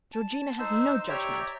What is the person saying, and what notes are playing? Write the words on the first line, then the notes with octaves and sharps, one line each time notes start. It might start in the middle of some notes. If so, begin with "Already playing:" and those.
Georgina has no judgment.
A5
D#4 C5 E6
G4 C#5 D5 E5 G5 A#5